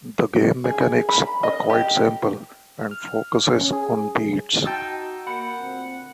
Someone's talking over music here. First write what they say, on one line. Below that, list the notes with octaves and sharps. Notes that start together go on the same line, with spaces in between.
The game mechanics are quite simple and focuses on beats.
G#4
B5
D#5
G4
F6
C#4
G#4
D#4 F#4 G5 A5 E6
A#3 F#4 F#5 B5 C#7
D2 A#2 C4